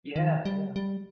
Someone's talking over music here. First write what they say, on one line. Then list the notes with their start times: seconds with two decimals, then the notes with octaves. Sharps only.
Yeah, yeah.
0.16 D#3
0.45 G3
0.76 G3